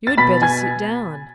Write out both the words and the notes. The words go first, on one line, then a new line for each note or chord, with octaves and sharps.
"You had better sit down."
A6
B2 B5 B6
G#5 G#6